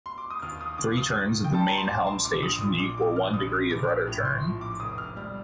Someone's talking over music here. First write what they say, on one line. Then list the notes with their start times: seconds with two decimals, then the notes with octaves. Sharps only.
Three turns of the main helm station equal one degree of rudder turn.
0.06 C6
0.18 D6
0.30 D#6
0.42 D#2 F6
0.61 D#6
0.78 D#2 D6
0.97 D#6
1.15 D#3
1.44 G5
1.51 G3 A5
1.66 A#5
1.78 C6
1.88 A#1 D6
2.07 C6
2.25 A#1 D6
2.43 D#6
2.61 A#2 D#6
2.80 D6
2.97 F3 D6
3.16 F6
3.33 A#1 D#6
3.70 A#1 D6
4.07 A2
4.25 C6
4.43 F3
4.61 D6
4.80 F1 D#6
4.98 F6
5.16 G3 F6